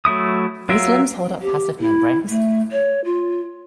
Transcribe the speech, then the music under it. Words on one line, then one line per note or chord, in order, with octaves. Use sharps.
These limbs hold up passive membranes.
F#3 A3 E4 D#6
F#3 F4 A#4 E5
G4
E4
A3
C#5
F4